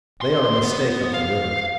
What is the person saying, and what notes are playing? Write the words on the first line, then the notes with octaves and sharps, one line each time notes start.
They are a mistake up the river.
C6
B3
F5